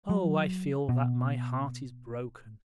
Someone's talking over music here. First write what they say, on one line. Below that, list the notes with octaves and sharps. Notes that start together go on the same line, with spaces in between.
Oh, I feel that my heart is broken.
F#3
B2